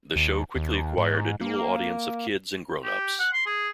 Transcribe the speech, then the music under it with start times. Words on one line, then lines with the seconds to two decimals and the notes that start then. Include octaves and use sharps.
The show quickly acquired a dual audience of kids and grownups.
0.16 D#2
0.56 D#2
0.98 G#2
1.41 A#3
2.84 G4
3.19 F#5
3.33 C6
3.46 G#4